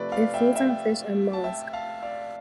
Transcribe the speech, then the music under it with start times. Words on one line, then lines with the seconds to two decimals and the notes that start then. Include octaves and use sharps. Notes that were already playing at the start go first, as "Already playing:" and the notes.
It feeds on fish and molluscs.
Already playing: C3 F3 A3 B4 D5
0.12 D5 F5
0.34 E5 G5
0.56 E5 G5
1.33 A5
1.44 E5 G5
1.73 F5 A5
2.03 D5 F5